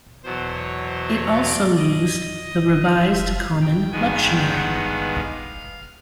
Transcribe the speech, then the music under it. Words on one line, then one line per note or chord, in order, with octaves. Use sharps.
It also used the Revised Common Lectionary.
E2 B2 F#3 C5
C#5
C5
C#5
D5
D#5
E5
F5
G5
G2 D#3 G#3 B3 G#5
G5
F#5
F5